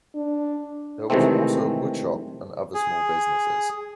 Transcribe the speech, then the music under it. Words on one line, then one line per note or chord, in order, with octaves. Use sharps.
There was also a wood shop and other small businesses.
D4
C3 D#3 E3 G#3 A3 C4
G#4